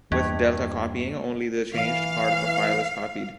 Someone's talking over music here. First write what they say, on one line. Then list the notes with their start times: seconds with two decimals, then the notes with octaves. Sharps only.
With delta copying, only the changed part of a file is copied.
0.12 E2 G2 A#3 G5 A5 G#6
1.75 E3 F5